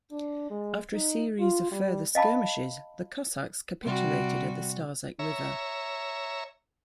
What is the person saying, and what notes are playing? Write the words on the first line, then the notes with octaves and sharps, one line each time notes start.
After a series of further skirmishes the Cossacks capitulated at the Starzec river.
D4
G#3
D#4
F4
G3
D#5 F5 A5 B5
C3 G3 F#4
C#5 E5 A#5